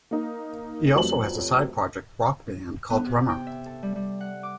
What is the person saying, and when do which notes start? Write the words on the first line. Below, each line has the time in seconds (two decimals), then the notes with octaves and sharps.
He also has a side-project rock band called Drummer.
0.11 A#3 D#4
0.95 F2 F#3 G3 A3 B4 F#7
2.90 B3
3.06 C3
3.29 G5
3.47 E5
3.66 A4
3.83 G3
3.96 G3
4.20 F#5
4.43 D6